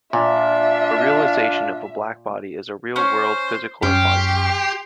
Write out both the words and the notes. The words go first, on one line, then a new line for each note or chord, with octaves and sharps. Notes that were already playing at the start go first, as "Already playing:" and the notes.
A realization of a black body is a real world, physical embodiment.
A#2 D4 F4 E5 F5
C#4 C5
F#2 C#4 G4 C6